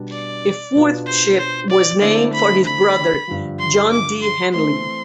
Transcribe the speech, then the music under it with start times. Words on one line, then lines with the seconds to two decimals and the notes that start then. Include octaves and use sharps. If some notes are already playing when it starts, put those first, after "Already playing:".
A fourth ship was named for his brother, John D. Henley.
Already playing: B2 G3 B3 D4
0.12 D5
0.75 B2 B3 D4 F4
1.06 C5
1.38 C5
1.70 D5
2.01 D3 A3 C4 E4 D5
2.33 B5
2.65 B5
3.27 G2 D3 F3
3.59 C6
3.91 D6
4.23 C6
4.53 E3 A3 C4 C6